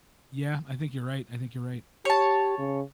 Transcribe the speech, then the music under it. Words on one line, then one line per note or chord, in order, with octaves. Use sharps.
Yeah, I think you're right, I think you're right.
G4 C#5 A5
C#3